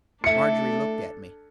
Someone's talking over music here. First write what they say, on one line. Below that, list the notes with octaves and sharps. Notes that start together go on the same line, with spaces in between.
Margery looked at me.
A3 D4 E4 A4 E5 C#7